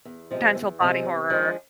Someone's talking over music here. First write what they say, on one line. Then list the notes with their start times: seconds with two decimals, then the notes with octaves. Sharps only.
potential body horror.
0.05 E2
0.31 C3 F3 G#3
0.55 E2
0.80 C3 F3 G#3
1.05 C3
1.30 F3 G#3 D4